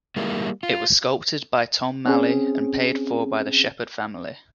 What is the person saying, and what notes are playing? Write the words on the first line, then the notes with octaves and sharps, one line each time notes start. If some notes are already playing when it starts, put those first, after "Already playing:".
It was sculpted by Tom Maley, and paid for by the Shepherd family.
G3 G#3 A#3 E4
F4
C4 C#4 G#4